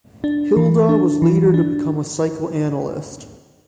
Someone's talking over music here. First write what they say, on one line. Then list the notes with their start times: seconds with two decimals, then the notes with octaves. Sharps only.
Hilda was later to become a psychoanalyst.
0.24 D4
0.57 E3
0.89 D4
1.22 E3
1.54 D4